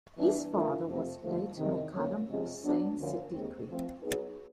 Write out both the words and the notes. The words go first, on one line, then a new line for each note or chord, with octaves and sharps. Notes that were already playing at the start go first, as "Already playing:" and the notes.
His father was Late Mukarram Hussain Siddiqui.
E3 G3 B3 D4
E3 A3 D4 F4 A#4
F2 C3 F3 A3 C4
D#2 D3 F3 A3
E2 C3 D#3
D2 D3 F#3 A#3 C#4
C3 F3 G#3 C#4
F#3 B3 D4
D2 D3 F3 A#3 C#4
D#2 D#3 G#3 C4
F3 A3 C4
F#3 B3 D#4 G#4 B4